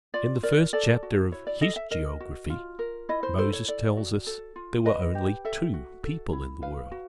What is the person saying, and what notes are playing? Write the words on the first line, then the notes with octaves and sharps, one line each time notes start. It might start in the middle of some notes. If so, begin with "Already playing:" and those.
In the first chapter of his geography, Moses tells us there were only two people in the world.
F4 D5
A#4 D5
A4 D5
F#4
E4 C#5
D5
A4 D#5
E5
A#4 D#5
F#4
F4
A#4
E4 D#5
C5
A4 C5
C#5
A4 D5
F#4
A4
F4
B4 D#5
G4
A4 E5
F#4
A4
E4
B4 F5
F#4